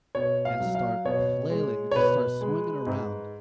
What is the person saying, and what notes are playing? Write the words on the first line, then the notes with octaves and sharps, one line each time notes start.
and start flailing, we just start swinging around.
B2 C#5
F5
F#3
F5
B2 C#5
G#3
C#5
B2 B4
G#3
G#2